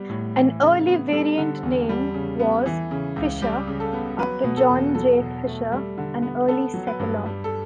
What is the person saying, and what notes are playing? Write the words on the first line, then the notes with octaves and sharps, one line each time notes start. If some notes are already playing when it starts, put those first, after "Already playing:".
An early variant name was "Fisher", after John J. Fisher, an early settler.
Already playing: G3 B3
A2
E3
C#3
B3
G3 A4
D3
E2
G3
C#3
B3
E3
C#3
C#2
G3 G4
C#3
A4
B3
F#3 B4
B2
A4
E2
F#3 A4
B2
A3
G3
D3
B3
B3 A4
F#3
B4
G2
G3
A4